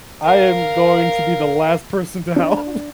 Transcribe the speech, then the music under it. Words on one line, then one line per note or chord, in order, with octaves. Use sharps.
I am going to be the last person to help.
A#4 F5
D4